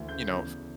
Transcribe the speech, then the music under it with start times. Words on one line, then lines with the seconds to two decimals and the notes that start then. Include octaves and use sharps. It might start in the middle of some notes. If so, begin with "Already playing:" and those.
you know, f
Already playing: D2 E3
0.08 C#3 G6
0.35 E2